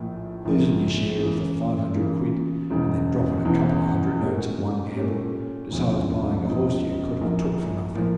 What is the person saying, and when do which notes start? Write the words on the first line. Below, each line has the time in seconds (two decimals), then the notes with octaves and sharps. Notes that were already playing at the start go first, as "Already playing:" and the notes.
Losin' yer share of the five hundred quid, and then dropping a couple of hundred notes at one gamble, besides buying a horse yer could have took for nothing.
Already playing: A#1 A2 F3 A#3
0.45 A#1 A2 F3 A#3
1.20 C#3 E3 A#3
1.95 C#3 E3 A#3
2.70 E1 E2 C#3
3.45 E1 E2 C#3
4.20 A#2 A3 C#4 G4
4.95 A#2 A3 C#4 G4
5.71 E1 D2 C#3 F3
6.46 E1 D2 C#3 F3
7.21 A#1 A2 F3 A#3
7.95 A2 F3 A#3